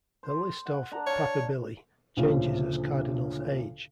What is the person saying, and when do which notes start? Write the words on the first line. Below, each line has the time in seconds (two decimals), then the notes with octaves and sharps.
The list of "papabili" changes as cardinals age.
0.23 C5
0.66 F#5
0.92 D4 F#5 A#5
1.07 C#5 F5 A5
2.17 D2 A#2 C#3 F3